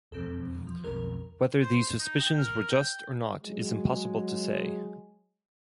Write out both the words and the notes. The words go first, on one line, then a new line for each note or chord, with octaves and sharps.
Whether these suspicions were just or not is impossible to say.
E1 F2 C4 A4
F3
B1 F2 A#4
C5
D#4
G5
A#4
G5
F#3 G#3